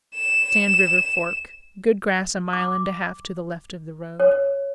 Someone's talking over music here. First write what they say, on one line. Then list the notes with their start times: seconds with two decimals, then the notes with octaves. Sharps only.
Sand River Fork.--Good grass a mile and a half to the left of the road.
0.15 E7
2.53 D6
4.20 C#5